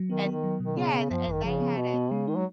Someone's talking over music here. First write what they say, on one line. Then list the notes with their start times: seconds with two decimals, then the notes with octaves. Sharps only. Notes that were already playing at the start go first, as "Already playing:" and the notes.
and yeah, and and they had a
Already playing: F#3
0.09 D#3 B3
0.25 B3
0.31 D#3
0.43 F#3
0.60 B2
0.66 D#3
0.77 C#3 B3
0.94 B3
1.10 F#2 F3
1.27 G#1
1.32 D#3
1.44 C#3 F3
1.60 B3
1.77 B2 B3
1.94 B3
2.11 C#3 G#3
2.27 D#3 D#4
2.37 F#3